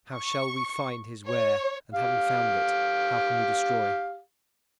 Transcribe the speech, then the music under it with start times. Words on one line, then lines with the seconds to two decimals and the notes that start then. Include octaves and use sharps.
How shall we find his where; and having found it, how can we destroy?
0.14 C#6
1.27 C#5
1.94 G4 F5